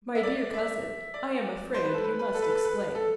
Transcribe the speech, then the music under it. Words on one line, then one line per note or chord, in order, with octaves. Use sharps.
"My dear cousin, I am afraid you must explain."
E5
D5
E5
D5
C5
B4
A4
B4
B4
A4
B4
A4
B4
A4